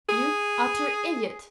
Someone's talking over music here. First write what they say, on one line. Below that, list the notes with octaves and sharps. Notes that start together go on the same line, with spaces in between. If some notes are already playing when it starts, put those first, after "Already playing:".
You utter idiot!
G#4